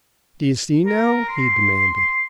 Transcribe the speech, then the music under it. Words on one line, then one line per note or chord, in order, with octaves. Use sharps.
"D'ye see, now!" he demanded.
A#4
C6